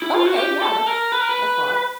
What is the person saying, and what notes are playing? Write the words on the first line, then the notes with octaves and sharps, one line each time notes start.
Okay, yeah. That's that's hot.
E4
F4
F#4
G4
A4
A#4
B4
A#4
B4